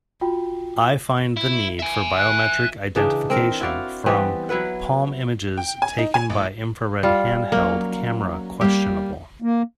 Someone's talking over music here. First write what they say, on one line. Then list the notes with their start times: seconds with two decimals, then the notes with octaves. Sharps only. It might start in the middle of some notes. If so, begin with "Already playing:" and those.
I find the need for biometric identification from palm images taken by infrared handheld camera questionable.
0.21 F4 F#4 G5
1.37 E4
1.79 E5 G#5
2.18 F#6
2.96 C#3 E3 D4 D#4
3.30 C4 A#4
3.60 E4 F#4 D5 F5
4.06 E3 G3 B3 C4
4.49 F#3 E4 B4 F#5
5.57 G5
5.82 G#5
5.98 D#4
6.14 G#5
6.30 A1
7.03 G3 F4
7.52 F#3 A#3 C#4
8.61 G3 A#3 G4
9.42 A#3